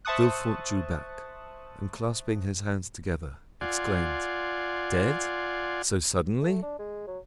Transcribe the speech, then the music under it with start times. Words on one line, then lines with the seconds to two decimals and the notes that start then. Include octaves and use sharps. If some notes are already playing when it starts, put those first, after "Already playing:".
Villefort drew back, and clasping his hands together, exclaimed--"Dead!--so suddenly?"
0.05 C5 E5 A5 C#6 D#6 F#6
3.61 F4 D5 F#5 G#5 C6
6.42 A3
6.63 D4
6.79 G#3
7.07 F#3